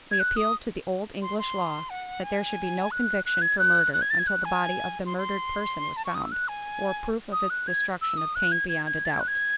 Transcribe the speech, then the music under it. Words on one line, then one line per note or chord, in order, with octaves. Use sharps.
We appealed to the old English law, that there should be no conviction for murder until the body of the murdered person was found, or proof of its destruction obtained beyond a doubt.
G#6
F#6
D#6
C6
C6
F#5
G#5
F#6
F#6
G#6
F#6
F#6
G#6
A6
G#6
F#6
G#5
C6
C6
A5
C#6
D#6
E6
F#6
G#5
D#6
F#6
G#6
E6
D#6
F#6
G#6
G#6
G#6
A6
G#6
F#6
G#6